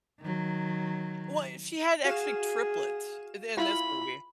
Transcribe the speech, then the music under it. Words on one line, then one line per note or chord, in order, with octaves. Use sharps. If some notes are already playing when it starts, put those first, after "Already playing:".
Well, she had actually triplets in in this movie,
D#3 F#3
F#4 G#4 F5 E7
E4 F4 B5